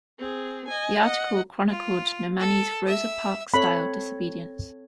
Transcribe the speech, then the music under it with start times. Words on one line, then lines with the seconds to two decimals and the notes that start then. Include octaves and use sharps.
The article chronicled Nomani's Rosa Parks-style disobedience.
0.19 C4 G#4
0.68 D#5 G#5
1.01 D#5 F#5
1.70 F4
2.39 A4
2.86 E5
3.54 C4 A4 C#5 B5